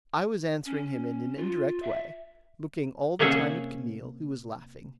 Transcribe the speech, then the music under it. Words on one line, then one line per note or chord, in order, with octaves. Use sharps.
I was answering him in an indirect way, looking all the time at Camille, who was laughing.
C#4
F4
E5
C3 A#3 C#4 G#4 E5 F#5